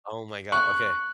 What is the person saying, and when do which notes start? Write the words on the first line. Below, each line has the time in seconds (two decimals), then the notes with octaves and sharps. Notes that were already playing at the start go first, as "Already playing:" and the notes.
Oh my god. Okay.
0.52 C#6 F#6 F#7